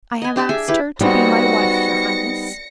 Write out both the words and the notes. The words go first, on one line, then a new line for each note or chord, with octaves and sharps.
"I have asked her to be my wife, your highness."
D#5 G#5
D4 G4 D5 A5
G#4 E5 G#5
E4 G4 B4
G3 B3 D#4 F#4 C5 A#6 C#7